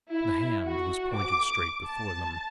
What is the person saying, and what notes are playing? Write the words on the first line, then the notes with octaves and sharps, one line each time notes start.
The hand was pointed straight before them.
E4
F#4
D6
A5